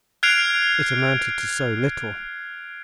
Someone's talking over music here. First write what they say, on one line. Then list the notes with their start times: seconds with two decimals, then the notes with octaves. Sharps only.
It amounted to so little!
0.23 F6 F#6 G#6 C7 D7 F7